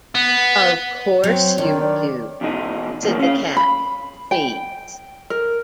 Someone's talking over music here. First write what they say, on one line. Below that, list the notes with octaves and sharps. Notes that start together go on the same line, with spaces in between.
"Of course you do,"said the Cat, pleased.
B3
F#3 C4 C#5
D3 D#3 D5
E2 B2 D#4
A2 D#3 F3 G3 A#3
C#4 F5
B5
G5
A#4